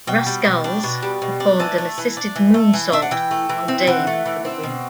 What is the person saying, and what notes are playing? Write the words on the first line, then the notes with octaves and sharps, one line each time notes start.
Rascalz performed an assisted moonsault on Dave for the win.
B2 G5
G3
B2
D4
B2
G3
B2
D4
E3 A5
A3
E3
D4
E3
A3
E3
D4 E5
F#5
E3 G5
A3
E3
C4
E3 F#5
A3
E3
C4
B2